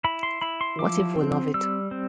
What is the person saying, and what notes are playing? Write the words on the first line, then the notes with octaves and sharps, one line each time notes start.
What if we love it?
E4 B5
C6
E4 B5
C6
F3 D6
C4
G3 E6
C4